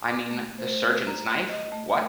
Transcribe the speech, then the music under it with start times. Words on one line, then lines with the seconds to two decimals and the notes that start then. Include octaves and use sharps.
I mean, the surgeon's knife, what?
0.10 D6
0.30 A3
0.58 C5
0.87 B4
1.07 A#5
1.49 D#5
1.72 A3